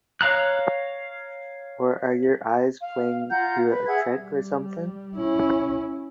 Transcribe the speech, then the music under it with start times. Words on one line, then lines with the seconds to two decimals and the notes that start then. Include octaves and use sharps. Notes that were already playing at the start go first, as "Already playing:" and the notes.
Or are your eyes playing you a trick or something?
0.21 C#5 F5 A#5 F#6
2.81 F5
3.31 F4 F#5 A#5 G6
3.69 B4
3.87 G#4 E5 F#5 G#6
4.17 G3
5.17 C#4 E4